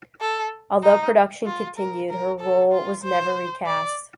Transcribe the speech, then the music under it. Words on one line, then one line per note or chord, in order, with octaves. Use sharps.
Although production continued, her role was never recast.
A4
D#4
F4
A#4
A#4
A4
F4
C5
D5